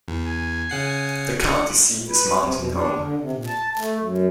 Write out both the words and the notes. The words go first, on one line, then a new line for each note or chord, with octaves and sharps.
The county seat is Mountain Home.
E2
G#5
C#3 F#5 C7
F#5
A#2
B4
C3
B2
D4
D3
C3
A#2
A5
A3
F#2